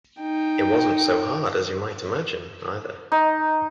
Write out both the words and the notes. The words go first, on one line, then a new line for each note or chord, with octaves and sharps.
It wasn’t so hard as you might imagine, either.
D#4 G5
D#4